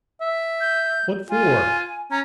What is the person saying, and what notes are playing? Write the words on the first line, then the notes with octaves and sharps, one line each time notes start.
What for?
E5
G6
F4 G#5
C#4 A#5